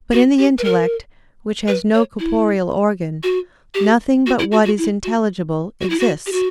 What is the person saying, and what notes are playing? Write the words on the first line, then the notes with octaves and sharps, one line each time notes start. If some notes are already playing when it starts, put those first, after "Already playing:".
But in the intellect, which has no corporeal organ, nothing but what is intelligible exists.
F#4
G4
B4
A#4
B4
C#5
E4
F#4
G4
F#4
E4
F#4
F#4
E4
F#4
F#4
E4
F#4
G4
F#4